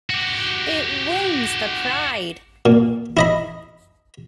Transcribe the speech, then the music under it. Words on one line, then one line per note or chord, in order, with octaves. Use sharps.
It wounds the pride.
F#4 G4
A#2
E4 D#5 B5